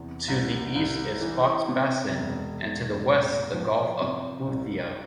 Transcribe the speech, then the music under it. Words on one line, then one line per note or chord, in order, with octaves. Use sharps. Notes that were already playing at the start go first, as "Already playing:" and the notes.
To the east is Foxe Basin and to the west the Gulf of Boothia.
Already playing: E2 C3
C2
C2
E3
C3
E1
E1
A1
F3
C3
C2